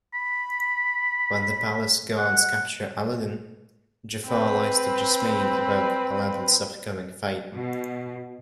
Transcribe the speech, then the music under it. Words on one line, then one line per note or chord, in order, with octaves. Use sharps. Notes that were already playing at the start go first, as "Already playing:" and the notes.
When the palace guards capture Aladdin, Jafar lies to Jasmine about Aladdin's upcoming fate.
B5
F#5
C4 B4
B2